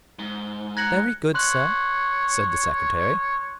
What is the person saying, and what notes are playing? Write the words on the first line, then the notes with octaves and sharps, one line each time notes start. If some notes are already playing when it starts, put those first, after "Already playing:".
"Very good, sir," said the secretary.
G#2 G7
A#5 F#6 G#6 A#6 C#7 F#7
C#5 C6 F#6 F#7